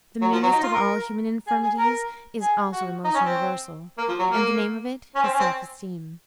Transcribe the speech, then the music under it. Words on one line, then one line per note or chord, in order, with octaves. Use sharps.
The meanest of all human infirmities is also the most universal; and the name of it is Self-esteem.
F#3
F3
F#3
D#4
F4
A#4
G#4
G#4
A#4
G#4
F#4
D#4
C#4
C4
A#3
F3
F#3
A#3
C#4
C4
C#4
C4